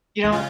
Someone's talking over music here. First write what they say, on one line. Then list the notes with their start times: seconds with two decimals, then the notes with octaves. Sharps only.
you don't
0.24 D#3
0.32 C#3 C#4 F4